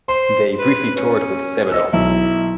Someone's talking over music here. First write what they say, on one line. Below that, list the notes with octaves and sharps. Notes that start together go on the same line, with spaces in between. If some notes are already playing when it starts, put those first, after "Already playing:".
They briefly toured with Sebadoh.
C5 C6
B4
C#4
D#5 E6
B1 E4